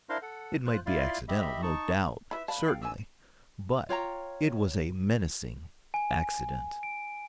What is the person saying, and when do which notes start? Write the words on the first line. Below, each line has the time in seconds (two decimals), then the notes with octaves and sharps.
It might be accidental, no doubt, certainly, but it was a menacing accident.
0.09 D4 E4 A#4 C5 F5 C6
0.22 A4 F#5
0.66 F4 C5 F#6
0.86 E4 F4 D5 F5 C6
1.28 G4 D#5 E5 B5
1.62 D#4 A5 C#6
2.31 E4 B4 E5 B5
2.48 D5 F5 A5 B5
2.66 A4 F5 G5
2.81 D4 G#5 E6
3.89 F4 C#5 G5 A#5
5.94 G#5
6.83 D7